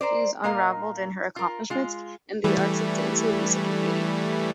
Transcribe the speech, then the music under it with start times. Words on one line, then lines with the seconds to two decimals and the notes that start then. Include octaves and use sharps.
She is unrivalled in her accomplishments in the arts of dancing, music and beauty.
0.01 A#4 C5 D5
0.44 A#2 A#3 A#4 D#5 F5
1.36 F4 A#4
1.70 G#3 F4
2.44 E3 G3 A3